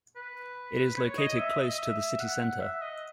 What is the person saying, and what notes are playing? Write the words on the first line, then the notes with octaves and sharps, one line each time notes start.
It is located close to the city center.
B4
C#5
D#5
E5
D#5
E5
F#5
E5
D#5